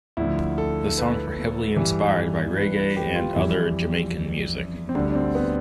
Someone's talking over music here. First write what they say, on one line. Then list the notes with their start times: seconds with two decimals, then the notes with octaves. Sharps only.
The songs were heavily inspired by reggae and other Jamaican music.
0.17 D2 D3 F3 E4
0.58 A4
0.98 B4
1.76 G2 E3 G3
2.56 B4
2.76 B4
2.97 G4
3.15 F4
3.35 F2 E3 G3 E4
4.89 C4
4.95 D2 D3 G3 D4
5.10 D4
5.15 C4
5.35 B3